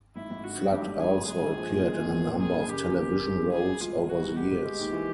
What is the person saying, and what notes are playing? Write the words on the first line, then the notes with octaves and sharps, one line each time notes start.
Flood also appeared in a number of television roles over the years.
G#1 E4
G#1
D3 F#4
G2
G#1 G4
G#1
D3 G#4
G2
G#3 G#4
A#1
F3
A#2
G#3
A#1
F3
A#2
F#1 G#4
F#1
C#3 G4
E2
F#1 G4
F#1
C#3
E2
B3 G#4
C2
G#3 F4
B2
B3 F#4
C2
G#3 G4
B2
G#3
D#2
E3